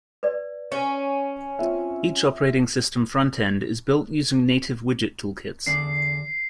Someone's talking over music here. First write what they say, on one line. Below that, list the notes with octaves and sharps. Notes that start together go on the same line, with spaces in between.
Each operating system front-end is built using native widget toolkits.
B4 D5
C#4
C4 F4 E5
E2 D3 D4 C7